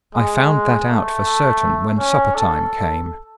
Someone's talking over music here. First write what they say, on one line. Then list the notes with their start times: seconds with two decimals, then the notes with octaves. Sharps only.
I found that out for certain when supper-time came.
0.14 G#3
0.87 A3
1.99 C#4
2.36 A4